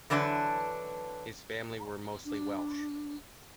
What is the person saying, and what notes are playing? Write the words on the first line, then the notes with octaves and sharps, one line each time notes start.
His family were mostly Welsh.
D3 E3 F#3 D4 B4
D4